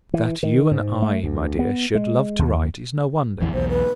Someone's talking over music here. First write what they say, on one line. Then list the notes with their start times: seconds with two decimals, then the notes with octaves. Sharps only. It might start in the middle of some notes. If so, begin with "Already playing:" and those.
That you and I, my dear, should love to write, is no wonder.
0.14 E3
0.43 D#3
0.71 G#2
1.02 A3
1.23 D2
1.59 B3
1.95 G#3
2.39 D#2
3.40 A1 F2 E3
3.53 B1 E2 C5
3.68 B4